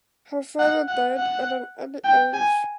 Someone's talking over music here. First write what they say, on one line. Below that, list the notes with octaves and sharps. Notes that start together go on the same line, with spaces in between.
Her father died at an early age.
F#5
F#5
F#5
G5
G#5